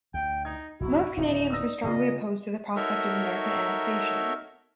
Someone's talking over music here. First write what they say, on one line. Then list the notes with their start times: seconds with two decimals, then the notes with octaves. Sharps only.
Most Canadians were strongly opposed to the prospect of American annexation.
0.14 D2 G5
0.45 D#4 G#6
0.80 F1 A#1 A#2 E4 F#4
1.17 D1 G#1 D#4 E4
1.50 D5 D#6 E6 A#6
1.84 C#3 A#3 C4 F4 G#4 D#5
2.76 D#4 F#4 A4 A#4 C#5 E5